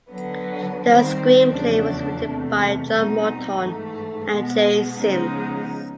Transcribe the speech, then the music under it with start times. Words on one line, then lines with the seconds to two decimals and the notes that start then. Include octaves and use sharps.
The screenplay was written by John Morton and Jay Simms.
0.11 D3 F#3 B3
0.81 D#3 G3 C4
1.50 E2 C#3 F3 A3 D4
2.19 E2 C3 E3 A3
2.90 B2 G3 C4 D#4
3.59 G#2 E3 A3
4.29 B2 G#3 B3
4.98 C#3 F3 G#3 B3 D#4